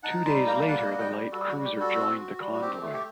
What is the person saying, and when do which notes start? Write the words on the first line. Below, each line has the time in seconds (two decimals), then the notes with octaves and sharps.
Two days later the light cruiser joined the convoy.
0.03 D#4 F#5 A5
0.25 G3 A5 C6
0.47 A#3 G5 A#5
0.67 G3 F#5 A5
0.86 D#5
0.89 G3 F#5
1.00 D#5 G5
1.11 G3
1.32 G3 F#4 A4
1.48 F#4
1.54 G3
1.64 G4
1.76 G3 F#4 A4
1.97 C4
2.17 F#4
2.39 G3
2.53 F#4
2.61 C4 G4
2.82 A3
2.93 G4